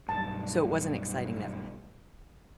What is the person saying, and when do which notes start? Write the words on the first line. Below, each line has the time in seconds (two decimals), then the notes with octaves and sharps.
So it wasn't exciting enough.
0.09 B1 G2 A5